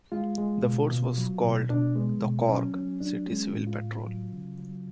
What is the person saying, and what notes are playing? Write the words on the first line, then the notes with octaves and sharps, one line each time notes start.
The force was called the Cork City Civil Patrol.
G#3 F4
G#3
B2
B2
F#3
B2
B2 D4
G#3 B3
B2
F#3 C#4
F#3 C#4
F#3 D4
G#3 C#4
A2
F4
A2
F#3
C#3
F#3